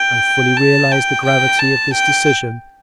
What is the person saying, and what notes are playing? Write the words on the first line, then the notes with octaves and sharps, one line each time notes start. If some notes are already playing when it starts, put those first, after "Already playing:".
I fully realise the gravity of this decision.
Already playing: G5
A5
G5
G5
A5
G5